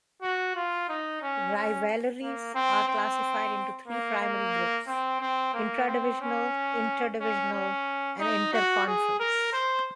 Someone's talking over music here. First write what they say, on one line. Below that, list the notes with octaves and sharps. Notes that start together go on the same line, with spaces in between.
Rivalries are classified into three primary groups; intradivisional, interdivisional, and interconference.
F#4
F4
D#4
C#4
C#4
A#3
C4
C4
A#3
A#3
C4
C4
A#3
C4
C#4
C#4
C#4
D#4
F#4
G#4
A#4
C5